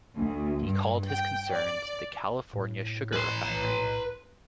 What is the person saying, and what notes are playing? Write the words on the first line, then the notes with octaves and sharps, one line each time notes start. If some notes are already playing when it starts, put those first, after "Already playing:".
He called his concerns the "California Sugar Refinery".
D2
G2
G5
D5
A2
B4 C6